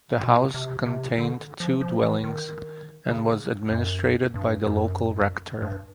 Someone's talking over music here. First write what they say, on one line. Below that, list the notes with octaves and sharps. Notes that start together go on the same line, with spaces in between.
The house contained two dwellings and was administrated by the local rector.
B2
C3
C3
D3
F3
F3
E3
D#3
C#3
F#2
G2
F#2
G2